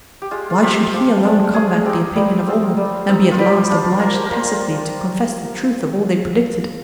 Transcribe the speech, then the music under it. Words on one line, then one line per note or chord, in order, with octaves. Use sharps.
Why should he alone combat the opinion of all, and be at last obliged tacitly to confess the truth of all they predicted?
G4
G#3 F4
F4
C4 F4 G4
F3
G#3 D4
G#3 G#4
C4 D#4 G4
G3
C4 F4
G3
C4 D#4
F4
G3 G4
D4 F4
A#3 A#4
C5
A#4
F4